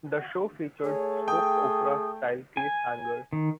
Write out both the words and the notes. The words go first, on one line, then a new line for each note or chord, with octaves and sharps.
The show featured soap opera-style cliffhangers.
A3 G#4 C#5
G5 D#6
G#5
D#3